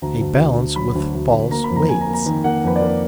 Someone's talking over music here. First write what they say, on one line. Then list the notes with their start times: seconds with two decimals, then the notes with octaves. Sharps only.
A balance with false weights.
0.02 D2 A#5
0.20 D2
0.39 D2
0.57 D3
0.76 F#3 B5
0.95 D2
1.14 D2
1.32 D2
1.51 A#3 A#5
1.64 B5
1.70 F2
1.76 A#5
1.88 F2 G#5
2.01 A#5
2.06 A#3
2.13 A#5
2.26 D#3 A#5
2.44 A#3 F#5
2.64 F2 B4
2.76 D5
2.81 A#3
2.87 B4